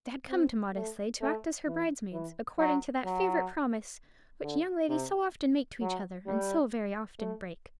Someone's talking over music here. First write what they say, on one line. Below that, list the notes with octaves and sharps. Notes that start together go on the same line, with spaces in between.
They had come to Maudesley to act as her bridesmaids, according to that favourite promise which young ladies so often make to each other, and so very often break.
C4
A3
A3
E3
E3
F#3
F#3
D3
C3
F#3
G3
A3